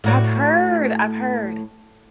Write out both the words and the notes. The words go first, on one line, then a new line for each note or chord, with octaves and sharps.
I've heard, I've heard.
A2 F#4 D5